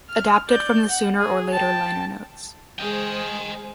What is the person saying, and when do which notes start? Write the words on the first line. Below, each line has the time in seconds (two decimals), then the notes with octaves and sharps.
Adapted from the "Sooner or Later" liner notes.
0.10 F6
0.49 D5 G6
0.90 F#5
1.20 G#4
1.53 G5 A5
2.79 G#3 G#4 C5 D#5 G5